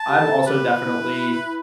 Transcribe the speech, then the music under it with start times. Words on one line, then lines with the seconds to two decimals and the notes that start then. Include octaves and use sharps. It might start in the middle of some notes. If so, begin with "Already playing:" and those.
I'm also definitely
Already playing: A5
0.09 G4
0.19 A4
0.46 G4 B4
0.64 F4
0.82 E4